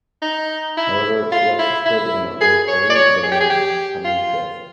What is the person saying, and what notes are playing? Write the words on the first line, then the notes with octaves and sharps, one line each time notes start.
However, she also stood in Ohariu-Belmont, coming fifth.
D#4
E4
F4
E4
E4
G#4
C#5
D5
C#5
G#4
G4
G#4
G4
F4